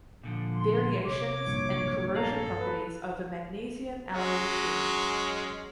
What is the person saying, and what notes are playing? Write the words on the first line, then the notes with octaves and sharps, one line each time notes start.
Variations in corrosion properties over magnesium alloy sheet.
A#2 D3 F3
C6
C3 C#5 D6
A#1 G2 A#2
G#4 A4 F5 A#5
B4
F#3 G#3 C#4